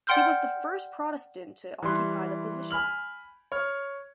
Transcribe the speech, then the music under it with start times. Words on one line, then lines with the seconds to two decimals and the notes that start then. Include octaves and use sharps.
He was the first Protestant to occupy the position.
0.07 D5 F#5 G5 C6 F6 G6
1.83 E3 G3 C6 F#6
2.71 G#5 B5 F6 F#7
3.52 C#5 F6